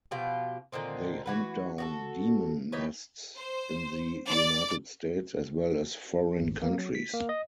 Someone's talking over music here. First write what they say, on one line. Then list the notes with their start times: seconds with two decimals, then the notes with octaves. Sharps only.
They hunt down demon nests in the United States, as well as foreign countries.
0.11 B2 F3 F4 G4
0.72 A#2 D3 D#3 C4
1.26 E3 F#4 B4
1.78 F#4 G4 A4
2.72 E3 D#4 B4 C#5
3.37 C5
4.27 D5
6.41 G#1
6.62 A#3
6.78 F#3
6.95 B6
7.14 A#3
7.29 D#5